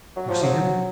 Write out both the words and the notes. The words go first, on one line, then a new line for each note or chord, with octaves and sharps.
"You see him?"
F#3
F3
F#3